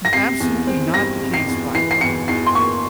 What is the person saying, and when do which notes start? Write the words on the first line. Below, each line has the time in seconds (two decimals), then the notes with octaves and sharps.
absolutely not the case, by the way,
0.05 A#6
0.13 C3 C7
0.40 E2
0.67 C4
0.93 G3 A#6
1.20 C3
1.34 C7
1.48 E2
1.75 E3 C7
1.91 C7
2.01 E2 C#7
2.28 E2 C7
2.46 C6
2.55 A#3 C#6